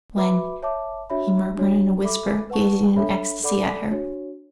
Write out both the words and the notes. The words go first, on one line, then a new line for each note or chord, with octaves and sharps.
"When?" he murmured in a whisper, gazing in ecstasy at her.
F#4 B4 E5 B5 D6
C#5 E5 A5 D6
D4 F#4 C#5 E5 B5
D4 F#4 C#5
A4 E5 B5 D6
B4 F#5 A5 C#6
D4 A4 C#5 E5 B5
A4 D5 F#5 B5 D6
D4 F#4 C#5